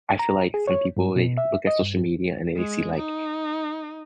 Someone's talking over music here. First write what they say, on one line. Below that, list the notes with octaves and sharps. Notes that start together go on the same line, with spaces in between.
I feel like some people, they look at social media, and then they see, like
A#5
G#4
C#5
G2
B2
E5
D#5
G2
G#3
D#4